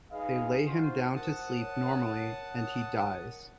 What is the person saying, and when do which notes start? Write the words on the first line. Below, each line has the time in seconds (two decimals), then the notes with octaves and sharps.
They lay him down to sleep normally, and he dies.
0.11 D#4 G#4 B4 D#5 F5
0.67 D#4 F4 F#4 C5
1.16 A#4 C5 F#5 A5 D#6
1.56 A#4 C#5